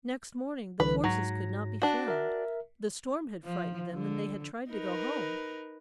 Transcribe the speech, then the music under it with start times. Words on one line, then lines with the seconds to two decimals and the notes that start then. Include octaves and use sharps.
Next morning the horses could not be found; the storm had frightened them, and they had tried to go home.
0.80 C2 D3 E3 B4
1.04 G#2 F#3 A#6
1.82 D4 F#4
2.08 A#4 E5
3.44 F3
3.94 D3
4.70 D#4 A#4 B4